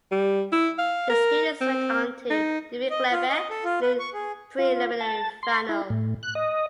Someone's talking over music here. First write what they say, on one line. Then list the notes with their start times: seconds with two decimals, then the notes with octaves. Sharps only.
The Students went on to defeat Glebe in the preliminary final.
0.12 G3
0.52 E4
0.79 F5
1.10 A#4
1.61 C4
2.30 D#4
2.90 D#5
3.12 F4
3.29 D#5
3.50 A4
3.64 F4
3.82 B4
3.99 C#6
4.14 G#4
4.58 F4
5.00 A5
5.43 C6
5.69 E4
5.90 A2
6.23 F#6
6.35 D#5